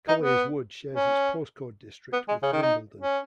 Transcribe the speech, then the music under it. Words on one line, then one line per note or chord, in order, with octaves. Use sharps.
Colliers Wood shares its postcode district with Wimbledon.
D#4
B3
C#4
B3
G#3
C#3
D#3
D#4
C#4